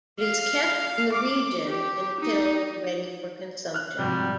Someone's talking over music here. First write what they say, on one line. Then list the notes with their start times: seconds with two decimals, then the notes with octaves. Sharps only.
It is kept in the region until ready for consumption.
0.20 F5
1.12 D6
1.67 G4
2.20 D#4
3.74 F6 F#6
3.99 G#2 C3 F3 G3 F#4 G4